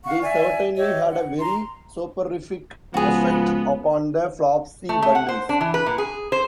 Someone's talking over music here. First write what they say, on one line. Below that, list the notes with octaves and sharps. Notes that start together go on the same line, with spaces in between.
They certainly had a very soporific effect upon the Flopsy Bunnies!
F5 F#5 C#6
D5 E5 G#5
G4 C#5 D#5 E5
F#5
A#5 C6
C#2 F3 B3 F#4 G#4 B4
A3
A3
F#5
C5
D4
E3
B4
A#2
G#4
C5